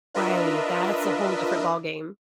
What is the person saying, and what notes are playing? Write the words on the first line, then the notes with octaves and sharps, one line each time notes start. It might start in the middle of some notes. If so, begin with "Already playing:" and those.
Right, that's a whole different ballgame.
D4 F4 A#4 B4 D#5 E5